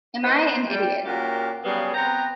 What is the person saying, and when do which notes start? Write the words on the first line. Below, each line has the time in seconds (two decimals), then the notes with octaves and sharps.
Am I an idiot?
0.24 B3 D#4 B4 C5
0.68 G3 G5
1.05 A#2 C#4 F#4 G4 A#4
1.64 C#3 F#3 G3 B3 G#4 F5
1.94 B3 C4 G5 A#5